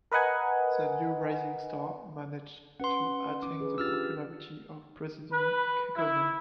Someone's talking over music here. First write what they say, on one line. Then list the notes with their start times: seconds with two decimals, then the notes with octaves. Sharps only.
The new rising star managed to attain the popularity of President Kekkonen.
0.12 A#4 B4 D#5 F#5 G#5
2.80 C#4 B4 F#5 C6
3.43 F3 C#4 D#4 D6
3.61 G#4 B4
3.78 D4 F4 G4 E6 F6 A6
5.31 B4
5.95 E4